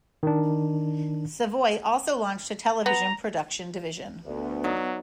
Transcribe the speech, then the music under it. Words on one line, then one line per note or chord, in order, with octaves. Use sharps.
Savoy also launched a television production division.
D#3 D4
B3 A#5
D2 B3
F#3 D#4 D5